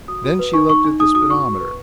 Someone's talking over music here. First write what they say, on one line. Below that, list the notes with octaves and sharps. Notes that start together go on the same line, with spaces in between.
Then she looked at the speedometer.
F#4 D#6
F#4
B4
D#4 C#6
D#4 C#6
D#4
D#4 D#6
F#4 D#6
F#4 C#6
F#4
B4